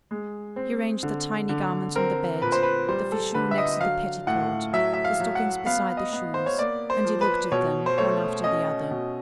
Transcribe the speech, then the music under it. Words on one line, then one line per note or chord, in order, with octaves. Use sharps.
He arranged the tiny garments on the bed, the fichu next to the petticoat, the stockings beside the shoes, and he looked at them, one after the other.
G#3
C4
D3
D3
C4 A#4
A#2 B4
C5
B4
G3 C5
A4
D3 B4
E5
D#5
F#3 F5
A2 F#5
F#3 E5
E5
F5
F#3
F#5
B3 F5
D#5
B3
C5
C#5
A#3 D5
C5
F3
B4
B2 C#5
C5
A3 C#5
C#4 D#5
B2